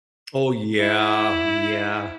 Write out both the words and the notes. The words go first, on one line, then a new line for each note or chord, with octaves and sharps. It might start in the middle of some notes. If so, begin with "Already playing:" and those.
Oh, yeah, yeah.
E4